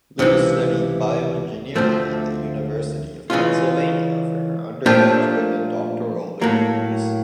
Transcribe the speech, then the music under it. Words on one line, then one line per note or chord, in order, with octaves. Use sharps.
Lu studied bioengineering at the University of Pennsylvania for her undergraduate and doctoral degrees.
C#2 C3 E3
D2 D3 F3 A3 C4
C#3 E3 G#3 C#4 F4
A#2 F3 A3 D4 G4
A2 F#3 A#3